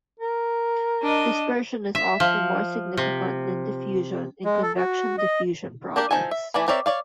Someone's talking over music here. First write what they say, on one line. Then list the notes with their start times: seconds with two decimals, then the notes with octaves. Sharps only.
Dispersion is often more significant than diffusion in convection-diffusion problems.
0.20 A#4
1.02 D4 D#5
1.95 E5
2.20 F3
2.97 C3
4.45 G#3
4.62 A4
4.77 F#4
5.18 D#5
5.96 A#3 D4 G4 A#4
6.11 F3 D#4 A4 G#5
6.31 E5
6.54 E3 A3 D5 G#5 B5
6.68 C4 A#4 C#5 D5 E5
6.86 C#5 D5 F5